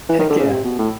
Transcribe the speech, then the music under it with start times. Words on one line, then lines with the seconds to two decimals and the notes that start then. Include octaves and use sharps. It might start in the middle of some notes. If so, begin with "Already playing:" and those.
Heck yeah!
0.09 E3
0.19 D#3
0.30 D3
0.39 C#3
0.50 C3
0.65 B2
0.79 A2